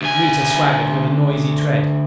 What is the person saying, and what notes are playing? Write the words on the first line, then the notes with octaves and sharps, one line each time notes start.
Anita swaggered with a noisy tread.
D2 G#5